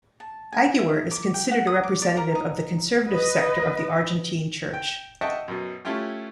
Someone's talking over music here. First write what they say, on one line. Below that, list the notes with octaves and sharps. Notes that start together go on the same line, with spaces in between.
Aguer is considered a representative of the conservative sector of the Argentine Church.
A5
G#5
E5
D6
G5
F#5
D#6
D6
D5
A#4
D#4
B4 D#5
G5
D#5 E5 F#5 G5 A5 C#6
F#2 B2
A3 C#4 E4 F4 G4